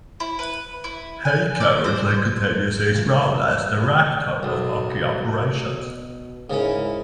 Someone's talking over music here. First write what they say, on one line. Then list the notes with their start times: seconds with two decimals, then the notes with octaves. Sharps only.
He currently continues his role as Director of Hockey Operation.
0.20 E4
0.39 B4
0.84 E4
1.25 G#5
1.60 D5
1.84 C5
2.94 A2 C#3 E3 F3
4.43 B1
5.67 B2
6.50 G#2 C#3 C#4 E4 A#4